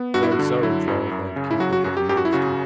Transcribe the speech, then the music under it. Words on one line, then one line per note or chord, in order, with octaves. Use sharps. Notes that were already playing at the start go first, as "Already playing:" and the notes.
"So, so," drawled that capable youngster.
Already playing: B3
G2 F#4
E4
F#4
D3
F#3 E4
F#2
F#2
C#3
E4
F#3 F#4
F#4
F#2 F#4
G4
F#2 G4
F#4
E4
C#3 F#4